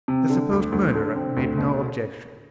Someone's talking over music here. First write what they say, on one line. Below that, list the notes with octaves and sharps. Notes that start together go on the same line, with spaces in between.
The supposed murderer made no objection.
C3
D3
D2
D2
D3
C4
D2
B2